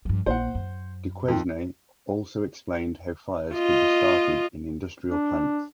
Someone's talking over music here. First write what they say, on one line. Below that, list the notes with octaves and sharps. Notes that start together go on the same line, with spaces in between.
Duquesne also explained how fires could be started in industrial plants.
G2 F3
A#1 A#3 C5 F#5
F#2
F2 D#3
F4 D#5
D4